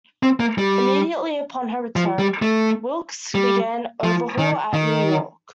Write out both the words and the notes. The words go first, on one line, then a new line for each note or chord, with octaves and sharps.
Immediately upon her return, "Wilkes" began overhaul at New York.
C4
A#3
G3
F3
G3
A3
G3
F3
D#3
D#3